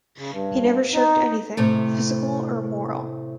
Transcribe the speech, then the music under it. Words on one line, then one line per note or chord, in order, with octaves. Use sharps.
He never shirked anything, physical or moral.
C#3
G2
D#4
A2 C3 A3